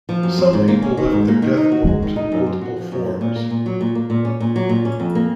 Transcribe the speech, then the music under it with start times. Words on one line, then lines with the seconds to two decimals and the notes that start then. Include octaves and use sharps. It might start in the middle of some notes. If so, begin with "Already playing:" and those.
Some people left their death poems in multiple forms.
0.09 F3
0.23 F#2
0.38 C4
0.53 G#2
0.68 A#3
0.82 C#4
0.97 D#3
1.12 G#2
1.28 A#3
1.42 D#3
1.57 D#4
1.72 F#4
1.87 G#3
2.02 D#3
2.16 D#4
2.32 F#2
2.46 C4
2.62 F#4
2.76 F3
2.92 F#2
3.06 C4
3.21 A#2
3.36 A#3
3.50 A#2
3.66 F#3
3.81 A#2
3.95 A#3
4.10 A#2
4.25 C#4
4.40 A#2
4.56 F#3
4.69 A#2
4.85 C#4
5.00 F2
5.15 A#3